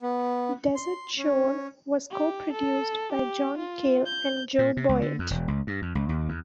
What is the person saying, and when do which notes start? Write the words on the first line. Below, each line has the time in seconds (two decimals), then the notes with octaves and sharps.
"Desertshore" was co-produced by John Cale and Joe Boyd.
0.02 B3
0.75 C6
1.18 C#4
2.11 G4
2.53 A4
3.12 G4
3.58 F4
4.06 G6
4.59 A#2
4.77 C3
4.89 C#2
5.01 D3
5.19 F2
5.30 E1
5.48 C#2
5.67 G2
5.82 F2
5.95 C#2
6.09 D#2
6.29 E2